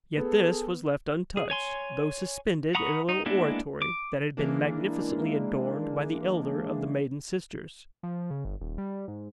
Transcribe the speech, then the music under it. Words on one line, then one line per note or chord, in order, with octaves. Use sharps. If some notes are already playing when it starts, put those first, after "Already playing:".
Yet this was left untouched, though suspended in a little oratory that had been magnificently adorned by the elder of the maiden sisters.
B3 G#4 A4
G#4
C#5 G#5 C6
F#5 A#5 B5 C#6 D#6
D#4
G#3 A#3 B3 D4 E4
D6
E3 G#3 A#3 D4
F3
C#3
G1
D#1
G3
G#2